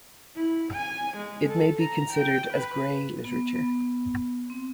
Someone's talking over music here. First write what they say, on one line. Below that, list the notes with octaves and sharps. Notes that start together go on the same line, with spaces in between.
It may be considered as grey literature.
E4
G#5
G#3
A4
A#5
G5
B4
B3
B3
C4